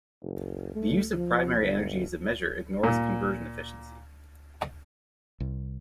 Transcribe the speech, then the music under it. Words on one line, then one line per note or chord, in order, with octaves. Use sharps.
The use of primary energy as a measure ignores conversion efficiency.
F#1
A3
F3
G1
A#2
C2